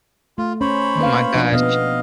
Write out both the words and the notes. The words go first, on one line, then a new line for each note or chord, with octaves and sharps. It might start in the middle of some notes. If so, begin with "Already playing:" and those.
Oh my gosh.
A3 F4
C#4 C5 C#5 B5
A#3 B4 F5
F3 D4
B2 B3 D#5 F5